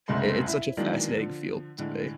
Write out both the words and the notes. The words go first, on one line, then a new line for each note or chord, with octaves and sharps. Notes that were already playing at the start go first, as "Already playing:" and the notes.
I it's such a fascinating field to me.
F#1 C2 C#3 G#3 A3 C6
E4
D#3 E3 F#3 G#3 A#3 D4
D3 F3
A2 D3 G#3